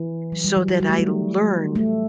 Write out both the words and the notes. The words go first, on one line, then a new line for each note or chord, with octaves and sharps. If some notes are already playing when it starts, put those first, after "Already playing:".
so that I learn
Already playing: E3
F#3
G3
F#3
F#3
G3
A3
G3
A3